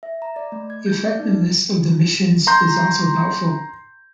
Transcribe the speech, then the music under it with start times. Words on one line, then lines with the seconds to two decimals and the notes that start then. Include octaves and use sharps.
The effectiveness of the missions is also doubtful.
0.03 E5
0.22 A#5
0.36 D5
0.52 A3
0.70 G#6
0.86 G6
1.05 D5
1.19 D#4
2.47 A#5 C6 G6